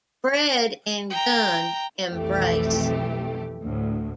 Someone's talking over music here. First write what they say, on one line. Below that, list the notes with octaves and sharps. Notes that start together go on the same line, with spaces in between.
Fred and Gunn embrace.
G5 A#5
B1 F2 E3 A3 G4
D2 A2